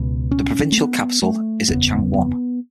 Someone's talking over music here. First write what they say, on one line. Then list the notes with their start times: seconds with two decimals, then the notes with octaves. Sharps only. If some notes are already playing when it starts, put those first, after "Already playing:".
The provincial capital is at Changwon.
Already playing: C#2 B2
0.31 C#4
0.72 A3
0.78 B3
1.23 A3
1.68 F#1 E2 C#3 B3
2.14 B3